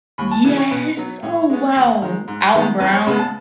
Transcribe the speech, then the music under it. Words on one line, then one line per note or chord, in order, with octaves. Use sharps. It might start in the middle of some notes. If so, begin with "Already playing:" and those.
Yes! Oh wow, Alton Brown.
D#2 B5
A5
C#3 E3
C#5
B2 B4
F#3 B3
A2 C#5
G#3 B3
D#2
D#3 G#3
G#2
D#3 G#3 B3
E2 B4
C#5
C#3 G#3 B3 B5
A5